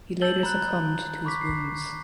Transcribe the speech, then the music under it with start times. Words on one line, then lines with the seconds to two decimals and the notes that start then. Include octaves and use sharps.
He later succumbed to his wounds.
0.21 A5 E6 G6 A6 F#7 G7
0.43 A#5 B5 F#6
1.25 B5 C#6 D6 B6
1.41 C7